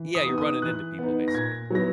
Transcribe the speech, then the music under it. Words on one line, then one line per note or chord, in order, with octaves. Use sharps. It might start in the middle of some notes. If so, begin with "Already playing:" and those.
Yeah, you're running into people, basically.
Already playing: E3
D#6
B3 D#4
D#6
E3 F#6
B3 D#4
A#6
A#2 G#6
F#3 B3 E4 A#6